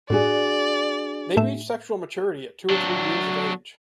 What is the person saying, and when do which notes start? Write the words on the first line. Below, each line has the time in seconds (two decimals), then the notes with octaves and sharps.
They reach sexual maturity at two or three years of age.
0.10 A2 D4 F#4 G#4 D5
1.37 A2 A3 E5
2.70 F#3 D4